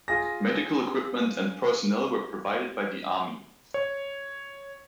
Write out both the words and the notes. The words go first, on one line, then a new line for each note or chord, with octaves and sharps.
Medical equipment and personnel were provided by the Army.
F4 G#4 A#6
C#5